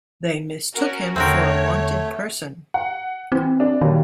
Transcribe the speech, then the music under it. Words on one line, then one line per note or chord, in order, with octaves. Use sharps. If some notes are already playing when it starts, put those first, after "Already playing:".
They mistook him for a wanted person.
C#4 F#4 A#4
E2 D3 A3 C4 F#4 A#4 C#5
F#5
E3 C4
D4
A#2 D#3 F#3 G3